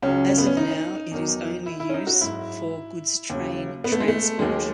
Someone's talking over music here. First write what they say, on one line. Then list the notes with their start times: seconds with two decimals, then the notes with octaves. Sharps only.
As of now it is only use for goods train transport.
0.02 C#2 C#3 F#3 C#4
0.29 C#4
0.38 B3
0.46 C#4
0.57 D#4
1.11 E2 D#3 F#3
1.66 E4
1.80 E4
1.89 C#4
1.94 D#4
2.07 F#4
2.20 G#2 F#3 E4
3.30 D#2 C#3 F#3
3.84 B3
3.92 A3
4.00 G#3
4.08 A3
4.39 D#2 D#3 F#3 G#3